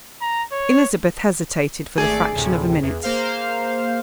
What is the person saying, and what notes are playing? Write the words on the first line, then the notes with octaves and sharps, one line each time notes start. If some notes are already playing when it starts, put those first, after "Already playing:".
Elizabeth hesitated for the fraction of a minute.
A#5
C#5
G#1 A3 G#4 D5
D2 A2 C3
E2
A#3 C5 F5